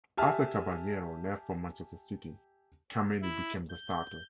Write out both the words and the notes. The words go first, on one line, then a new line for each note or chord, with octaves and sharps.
After Caballero left for Manchester City, Kameni became the starter.
G4 E5 G#5 A5 F6
E4
G6